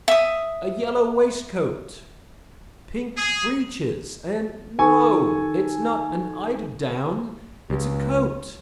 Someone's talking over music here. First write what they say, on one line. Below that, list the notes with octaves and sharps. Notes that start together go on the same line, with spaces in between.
A yellow waistcoat, pink breeches, and--no, it's not an eider-down, it's a coat.
E5 D#6
G#4
D#3 A4 G#5 C#6
C#2